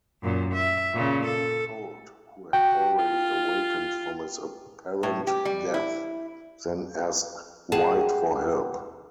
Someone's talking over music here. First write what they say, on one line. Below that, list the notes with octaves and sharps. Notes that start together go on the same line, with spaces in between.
Colt, who had already awakened from his apparent death, then asked White for help.
F#2 A#2
E5
A#2 C#3
A4
F#4 G5
F4
A2
G4
G3
E4
G#4 F#5 G5 A5